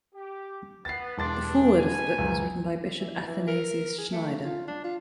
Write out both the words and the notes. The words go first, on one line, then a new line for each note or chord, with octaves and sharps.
The foreword of the book was written by Bishop Athanasius Schneider.
G4
B3 A6 C7
E1 G2 D4 C6 A6
B2 G#5
C#2 F#2
E3
E3
A#4
G#4
A3
F4
D4
F4